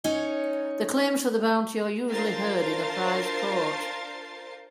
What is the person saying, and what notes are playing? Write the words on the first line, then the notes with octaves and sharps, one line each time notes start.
The claims for the bounty are usually heard in a Prize Court.
C#4 D#4 C#5
D4 F4 A#4 C5 A6 C7